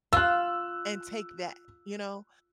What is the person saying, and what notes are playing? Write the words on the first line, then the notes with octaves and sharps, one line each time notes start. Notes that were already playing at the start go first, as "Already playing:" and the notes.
And take that, you know,
F4 E6 F#6